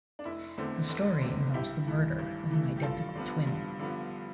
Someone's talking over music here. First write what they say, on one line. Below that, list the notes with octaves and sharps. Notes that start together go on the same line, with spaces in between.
The story involves the murder of an identical twin.
D4
F1 E4
E2 D3 A3 C4
F1
E2 D3 A3 C4
G2 E4 G4
E3 A3
G2
E3 A3
G4
G2 F4 A4
D3 F3 B3
G2
D3 F3 B3